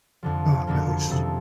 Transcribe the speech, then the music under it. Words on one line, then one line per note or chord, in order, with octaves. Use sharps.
Oh, nice.
F2 D3 F3
F#1 F2 D3 F3 A#3
F2 C3 D#3 A4